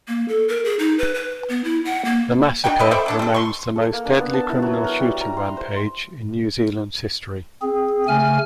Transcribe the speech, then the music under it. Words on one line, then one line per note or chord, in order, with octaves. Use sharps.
The massacre remains the most deadly criminal shooting rampage in New Zealand's history.
A#3
A4
A#4
G#4
D#4
B4
B4
B3
E4
F#5
A#3
D4 D#4 F#4 G5
C4 B4 D#5
A4 C5 D5 E5
F#3 D4 A4
G3 A4
C6 C#6
A4
A#3
D4
B3
A5
E4
F#3
A#4
G3
A#5
C6
C5
C4 G#4
C#3 A3 G#5 F6